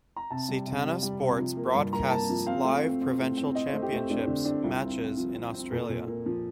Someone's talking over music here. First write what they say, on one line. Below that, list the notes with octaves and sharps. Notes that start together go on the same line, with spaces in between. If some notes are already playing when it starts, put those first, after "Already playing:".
Setanta Sports broadcasts live Provincial championships matches in Australia.
A#5
C3 A5
G3
C3
G3
G3
C3
F3
A#3
G2
A#3 A#5
A#3 A5
F3
C4 F5
A3
C4
C4
A2
C4
C4 D#5
A3 C5
G4
A3 C4
A3 D4
D3 D4
C4 D4
C2 F4
C4
C4
F3
C4
C4
A#2 A4
A#2
A#3
F3